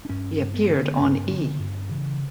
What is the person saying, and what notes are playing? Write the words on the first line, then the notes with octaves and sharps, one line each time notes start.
He appeared on E!
D4
G2 C#4
G2
B3
D3
G2
D3
G2
C#3 E3